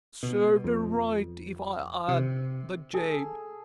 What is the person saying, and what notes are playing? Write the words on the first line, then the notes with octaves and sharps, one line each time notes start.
Served her right if I had, the jade!
B2
F2
C3
G#4 A4